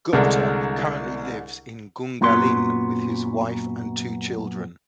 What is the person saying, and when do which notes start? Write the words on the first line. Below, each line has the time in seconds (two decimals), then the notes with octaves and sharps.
Gupta currently lives in Gungahlin with his wife and two children.
0.13 C2 D3 G#3 D4 A#4
2.21 F#2 A#2 F#3 B3 C6